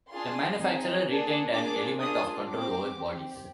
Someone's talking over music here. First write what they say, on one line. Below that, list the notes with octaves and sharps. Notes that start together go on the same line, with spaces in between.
The manufacturer retained an element of control over bodies.
D4 F4 G#4 C6
C4 D#4 G#4
A#3 D4 G#4
A#3 D4 F4 G#4 D6
A#3 D4 F4 G#4 D#6
C4 G4 D6
C4 G4